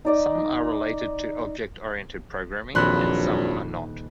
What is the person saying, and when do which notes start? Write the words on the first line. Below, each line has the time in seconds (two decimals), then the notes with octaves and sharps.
Some are related to object-oriented programming and some are not.
0.05 D#4 D5 D#5
2.75 D#1 A#1 F2 F#3 B5 C6 F#6